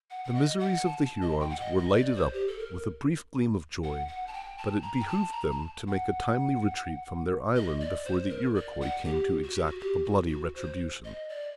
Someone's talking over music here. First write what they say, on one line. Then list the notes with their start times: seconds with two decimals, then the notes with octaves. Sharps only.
The miseries of the Hurons were lighted up with a brief gleam of joy; but it behooved them to make a timely retreat from their island before the Iroquois came to exact a bloody retribution.
0.10 F#5
0.24 F#5
0.35 D#5
0.59 F#5
0.85 A5
1.22 D#5
1.40 G5
1.50 F#5
1.60 D#5
1.78 D#5
1.97 D5
2.16 C5
2.33 G4
2.47 A4
2.59 A#4
3.84 F#5
4.08 F#5
4.27 A5
4.33 G5
4.58 A5
4.82 A#5
5.00 G5
5.08 A5
5.32 A#5
5.51 A5
5.88 F#5
7.56 D#5
7.80 D5
8.05 C5
8.30 A#4
8.55 D5
8.81 F#5
9.05 G4
9.43 F#4
9.55 G4
9.66 F#4
9.80 G4
10.05 F#4
10.29 F#4
10.55 C5
11.05 D#5
11.29 D5